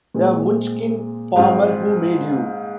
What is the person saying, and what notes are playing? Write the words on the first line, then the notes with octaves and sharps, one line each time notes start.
The Munchkin farmer who made you?
A#2 G#3 C4
G#2 G3 C4 F4